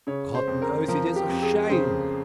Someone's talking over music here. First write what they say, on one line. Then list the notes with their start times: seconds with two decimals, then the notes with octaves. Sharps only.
"God knows it is a shame!"
0.07 C#3 C#5
0.35 C5
0.47 F2
0.62 A#4
0.88 F3 A#4
1.16 G4
1.29 F2
1.42 G#4
1.69 C#3 C5